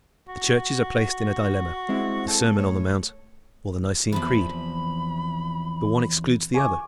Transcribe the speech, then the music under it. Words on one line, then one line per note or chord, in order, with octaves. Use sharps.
The churches are placed in a dilemma: the Sermon on the Mount or the Nicene Creed--the one excludes the other.
F#4
G#3 C4 E4
A4
A2 C#5
E2 C3 F3 B5
G#5 C#6 D6